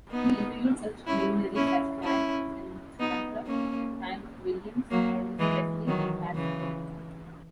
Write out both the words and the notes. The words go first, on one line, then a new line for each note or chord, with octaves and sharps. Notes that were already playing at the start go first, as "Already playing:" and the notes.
He interviewed such luminaries as Frank Sinatra, Hank Williams, Elvis Presley, and Fats Domino.
B3 D#4
C#4 E4
C#4 E4
C#4 E4
B3 D#4
A#3 C#4
F#3 A#3
E3 G#3
D#3 F#3
C#3 E3